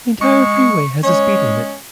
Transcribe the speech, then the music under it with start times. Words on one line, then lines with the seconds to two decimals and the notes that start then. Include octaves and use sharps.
The entire freeway has a speed limit.
0.21 G#3 C#6
1.03 G#3 C#4 C#5